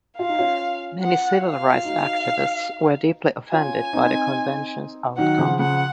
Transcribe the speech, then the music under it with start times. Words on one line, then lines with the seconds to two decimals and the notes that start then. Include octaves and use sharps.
Many civil rights activists were deeply offended by the convention's outcome.
0.18 F4 F5
0.29 D#4
0.38 C#4 F4
1.02 F#5
1.44 F5
1.74 F4
1.85 D#4 F#4
3.52 C#4 F4 G#5
3.93 C4 D#4
5.17 D#3 F#3 F#5
5.38 C#3 F3
5.59 C#3 F3 F#5